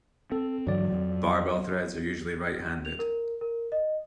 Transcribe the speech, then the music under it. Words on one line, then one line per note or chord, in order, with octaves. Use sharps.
Barbell threads are usually right-handed.
C4 A4
G2 D3 E3 F#3 D5
F2
F7
A#4
A#4
D#5